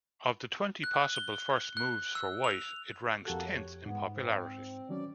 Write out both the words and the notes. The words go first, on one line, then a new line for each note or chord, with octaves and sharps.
Of the twenty possible first moves for White, it ranks tenth in popularity.
F#6
G7
F#6
E6
F7
F2 A#3 F#4 G4 A4 F#6
C#5
G#2 B3 D#4
C4
D#3 F#3 C#4 D5